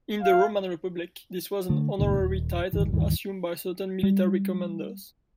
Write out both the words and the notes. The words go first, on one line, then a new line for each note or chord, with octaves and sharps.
In the Roman Republic, this was an honorary title assumed by certain military commanders.
F5
D3 A3
F#1 C#2 A#2 D#3
D#1
D1 G1 D#3 E3
D2 G2 D#3 E3
G3